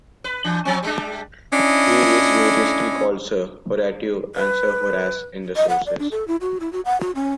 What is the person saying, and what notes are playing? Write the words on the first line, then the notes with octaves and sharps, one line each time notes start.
He is variously called Sir Horatio and Sir Horace in the sources.
B4
E3 D4
F3 C4
G3 G#3 D4
C#4 D4 E4 D#5
B4
D#5
F#5
D5
D4
A4
E4
F#4
E4
F#4
F#5
F#4
C#4